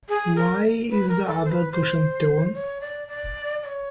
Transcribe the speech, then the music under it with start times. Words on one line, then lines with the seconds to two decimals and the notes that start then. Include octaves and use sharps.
Why is the other cushion torn?
0.09 G#4
0.36 A#4
0.90 B4
1.09 A#4
1.26 A4
1.45 C5
1.50 B4
1.72 C5
2.54 C#5
2.81 D5
3.08 D5
3.62 D5
3.66 C#5